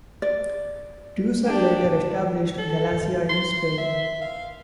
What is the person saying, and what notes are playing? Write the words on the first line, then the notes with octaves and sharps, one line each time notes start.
Teucer later established Galacia in Spain.
D5
D4 G4
A4
C6
E5
F5